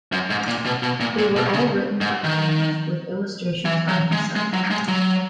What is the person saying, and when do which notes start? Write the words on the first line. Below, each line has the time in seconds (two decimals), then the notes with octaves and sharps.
They were all written by Caniff, with illustrations by himself.
0.12 F#2
0.30 G#2
0.47 A#2
0.65 B2
0.83 B2
1.00 A#2
1.18 A#2
1.36 B2
1.53 C#3
2.01 G#2
2.24 D#3
3.65 E3
3.88 F#3
4.12 G#3
4.36 G#3
4.53 F#3
4.71 G#3
4.88 F#3